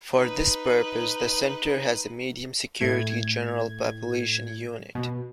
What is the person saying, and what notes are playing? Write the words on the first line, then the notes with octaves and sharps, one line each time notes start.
For this purpose, the center has a medium security general population unit.
D#4 B4
A2 G#6
B2